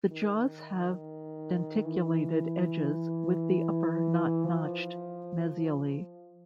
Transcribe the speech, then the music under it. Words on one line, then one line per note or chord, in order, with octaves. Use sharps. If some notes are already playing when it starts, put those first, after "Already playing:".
The jaws have denticulated edges with the upper not notched mesially.
D#3
E3
F3